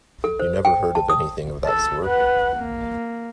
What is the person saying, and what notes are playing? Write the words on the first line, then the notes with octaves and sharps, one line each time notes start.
You never heard of anything of that sort?
A4
C5
G5
A5
D#6
A4
B4 F#5
A#3